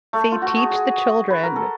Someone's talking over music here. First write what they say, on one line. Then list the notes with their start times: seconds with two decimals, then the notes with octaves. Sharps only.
See, teach the children.
0.13 A3
0.32 F4
0.42 F#4
0.57 G#4
0.70 G#4
1.30 B4
1.43 A#4
1.56 A4